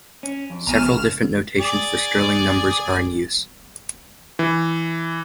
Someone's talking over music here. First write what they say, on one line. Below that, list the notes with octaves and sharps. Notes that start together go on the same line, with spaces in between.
Several different notations for Stirling numbers are in use.
C#4
F2
A#1 A2 B3 G#5 A#5 F6 E7
C#3
G#4 D5
E3